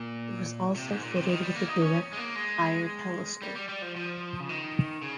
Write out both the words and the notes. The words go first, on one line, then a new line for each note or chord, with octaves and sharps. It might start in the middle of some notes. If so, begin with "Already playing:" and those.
It was also fitted with a direct fire telescope.
Already playing: A#2
C3
G#2
A#2
C3
D#3
G3
A#3
D#4
C#4
G#3
A#3
G#3
G3
G3
G3
F3
F3
C#3
D#3
C#3